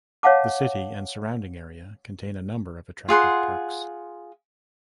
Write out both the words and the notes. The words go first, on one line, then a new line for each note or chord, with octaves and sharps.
The city and surrounding area contain a number of attractive parks.
C#5 D#5 F5 F#5 A5 D6
F4 G#4 F#5 C6